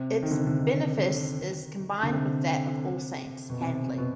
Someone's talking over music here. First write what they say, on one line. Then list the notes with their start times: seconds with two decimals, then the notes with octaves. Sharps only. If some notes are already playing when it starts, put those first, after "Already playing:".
Its benefice is combined with that of All Saints, Handley.
Already playing: C3
0.23 D#3
0.31 D3
0.38 C3
0.47 D3
0.59 D#3
2.03 D3
2.10 C3
3.50 B2
3.61 C3
3.98 B2